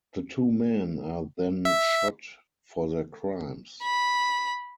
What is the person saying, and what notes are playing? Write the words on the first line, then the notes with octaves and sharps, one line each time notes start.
The two men are then shot for their crimes.
E5
B5